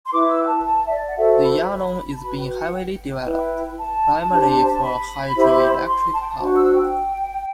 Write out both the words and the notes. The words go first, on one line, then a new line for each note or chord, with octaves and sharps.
The Yalong is being heavily developed, primarily for hydroelectric power.
C6
E4 B4 D6
E6
G5
A5
A5
E5
D5
F#5
F#4 A4 C5 E5
B5
A5
F#4 B4 B5
G5
F#5
G5
E4 B4
A5
D4 G4 C5
A5
B5
E4 G4 C5
C6
A5
G5
A5
D4 F#4 C5
E6
G5